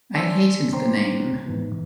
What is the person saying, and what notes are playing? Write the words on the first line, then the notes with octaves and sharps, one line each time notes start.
I hated the name.
C#5 D5 G#5 A5 C6 E6
C5 C#5 G5 A#5 C6 D6
G#2 E3 B3
A2 E3